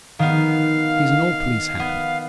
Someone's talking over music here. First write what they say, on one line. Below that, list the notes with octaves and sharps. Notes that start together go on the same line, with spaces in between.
He's an old police hand.
D#3 B3 F5
B3